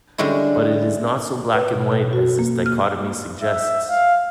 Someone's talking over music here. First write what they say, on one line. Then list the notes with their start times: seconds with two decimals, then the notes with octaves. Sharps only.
But it is not so black-and-white as this dichotomy suggests.
0.18 D3 G3 G#3 C#4 E4
1.53 B4
1.73 B2
1.92 A4
2.13 F#4
2.39 A#3
2.66 F6
3.41 E5
3.90 F5